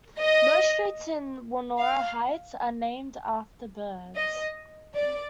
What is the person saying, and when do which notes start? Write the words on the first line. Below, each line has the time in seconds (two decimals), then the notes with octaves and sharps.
Most streets in Woronora Heights are named after birds.
0.19 D#5
1.78 F5
4.16 D#5
4.96 D5